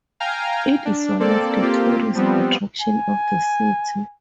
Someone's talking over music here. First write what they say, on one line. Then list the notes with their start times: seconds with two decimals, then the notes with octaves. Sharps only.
It is one of the tourist attraction of the city.
0.20 F5 G5 G#5 A#5 F6
0.85 D4
1.20 A#3 C4 A4 D5
1.62 A#3 C4 F4 G4
2.15 F3 G3 B3 C4
2.82 G#5